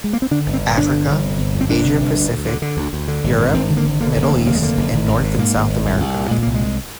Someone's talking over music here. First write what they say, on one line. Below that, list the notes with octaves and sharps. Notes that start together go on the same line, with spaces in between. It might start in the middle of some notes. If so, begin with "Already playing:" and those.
Africa, Asia-Pacific, Europe, Middle East and North and South America.
G#3
A#3
C4
D3 D4
G1
C4
G2
G1 D4
D3
G1
C3
G1
F2
C4
G1 D4
C3
G1
D2
D2
D3
D3
D2
D2
D3
G#1
G2
G#1 C4
D3
A#3
G#1
D3 A#3
F1
A#3
D#2
F1 A#3
G#3
D3 A#3
F1
G#1
G#1
G#2
G#2 A#3
G#1
G#1
C2
C2
A#2
A#2 G#3
C2 A#3
G#3
C2